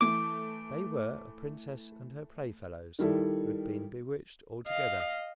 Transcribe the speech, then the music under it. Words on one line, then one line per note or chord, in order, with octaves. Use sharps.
They were a princess and her playfellows, who had been bewitched all together.
E3 A3 D6
D#3 G3 E4 A4
D#5 F5